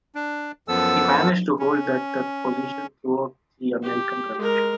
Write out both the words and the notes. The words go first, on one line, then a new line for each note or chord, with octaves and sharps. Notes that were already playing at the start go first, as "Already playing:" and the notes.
He managed to hold that position throughout the American Revolution.
D4
F#2 F3 B3 A4 E6
C#4
G4
G#3 A#4